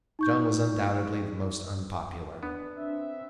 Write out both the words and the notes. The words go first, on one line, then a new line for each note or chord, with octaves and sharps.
John was undoubtedly the most unpopular.
D#4 C#6 G6
B3 D4
C4 E5